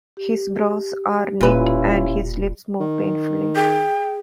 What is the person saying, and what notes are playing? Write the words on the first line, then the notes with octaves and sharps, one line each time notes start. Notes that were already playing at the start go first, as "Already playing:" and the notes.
His brows are knit and his lips move painfully.
G4
E1 A#2 C#4 E4 F4 B4
D#3
G#4 G5